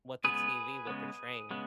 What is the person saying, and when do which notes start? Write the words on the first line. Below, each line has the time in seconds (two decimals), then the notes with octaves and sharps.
what the TV would portray.
0.24 C#3 G#3 B3 G#4 B4
0.87 C#3 G#3 B3
1.51 C#3 G#3 B3